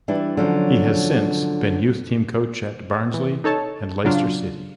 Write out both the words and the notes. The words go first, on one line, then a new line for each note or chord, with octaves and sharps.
He has since been youth team coach at Barnsley and Leicester City.
E3 G3 D4 E4
D3 F3 F#3 C#4
E3
D#4 A4 C#5 A5
C#3 F#3 D4 F4